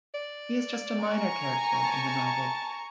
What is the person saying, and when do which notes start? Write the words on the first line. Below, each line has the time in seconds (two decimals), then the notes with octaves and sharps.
He is just a minor character in the novel.
0.14 D5
1.00 G#5 A#5 C#6
1.85 A5